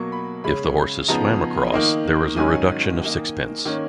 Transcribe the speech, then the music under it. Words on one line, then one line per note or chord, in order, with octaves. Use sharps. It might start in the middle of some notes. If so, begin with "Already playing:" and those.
If the horses swam across, there was a reduction of sixpence.
Already playing: B2 F#3 A#3 C#6
B5
C#3 G#3 C#4 B5
C#3 F3 B3 D#4 A#5
D#3 A#3 D#4
G#2 D#3 F#3 C#4 G#5
D#3 A#3 D#4
D#3 A#3 C#4